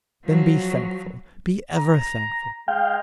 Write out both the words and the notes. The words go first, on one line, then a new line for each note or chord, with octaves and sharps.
Then be thankful--be ever thankful.
F3 F#3
A#5
G#3 F5 G5